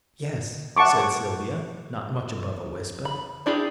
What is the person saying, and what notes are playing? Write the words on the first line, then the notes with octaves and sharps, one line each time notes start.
"Yes," said Sylvia, not much above a whisper.
E5 F#5 A5 C#6 D6
B5
D4 E4 G4 G#4